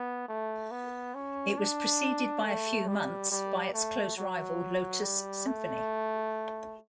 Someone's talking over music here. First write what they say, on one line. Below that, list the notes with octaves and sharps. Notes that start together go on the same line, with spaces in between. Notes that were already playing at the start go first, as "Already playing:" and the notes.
It was preceded by a few months by its close rival Lotus Symphony.
Already playing: B3
A3
B3
C#4
D4
A3
G3
G3
A3
F#3
G3
A3